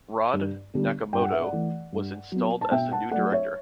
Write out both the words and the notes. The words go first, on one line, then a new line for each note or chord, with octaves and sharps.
Rod Nakamoto was installed as the new director.
G2
D3 G3 B3
G2 G5
F#5
E5
D5 F#5
E3 A3
G2
F#3 B3
A5
B2 E5 G5
F#5 A5
F#3 A3 D5 F#5
C#5 E5